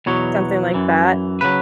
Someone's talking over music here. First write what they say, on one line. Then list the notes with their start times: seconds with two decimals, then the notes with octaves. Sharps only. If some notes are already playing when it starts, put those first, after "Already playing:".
something like that
0.06 E2 B2 F#3 C#5
0.74 F#2 E3
1.41 C#3 F#3 B4